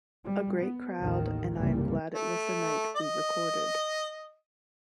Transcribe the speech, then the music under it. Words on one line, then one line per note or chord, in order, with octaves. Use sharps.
A great crowd and I am glad it was the night we recorded.
G3
B3
A1 D#2 D#3
F1 C2 G2 C#3 G3 A#3
A3
D#5